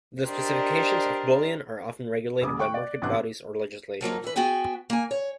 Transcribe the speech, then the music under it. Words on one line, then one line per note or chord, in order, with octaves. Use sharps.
The specifications of bullion are often regulated by market bodies or legislation.
D4 G4 A#4 C5 D5 D#5
D#1 C#3 D6 D#6
G5 C#6 F#6 D7
D5
A1 C3 B3 C4 D4 F#6
F3 F#3 A#3 D#4
E3 B4
B3 F#4 G#4 G5 G#5
A#3 G#5
C#5